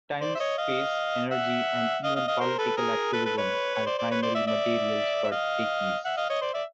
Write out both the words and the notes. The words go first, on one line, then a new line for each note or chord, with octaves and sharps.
Time, space, energy and even political activism are primary materials for Takis.
C5 D5
E5
C#5 D#5
D#5 F5
E5 F#5
D#5 F5
D#5 F5
D#5 F5
A#4 C5
A4 B4
G#4 A#4
A4 B4
A4 B4
B4 C#5
C#5
C5 D5
C5 D5
B4 C#5
C5 D5
D5 E5
D5 E5
E5
D#5 F5
E5 F#5
D#5 F5
C#5 D#5
C5 D5
D5 E5